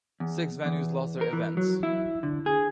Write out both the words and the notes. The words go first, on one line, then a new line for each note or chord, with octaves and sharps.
Six venues lost their events.
E2
E2
A#4
E3
F#3
E4
D3
G#4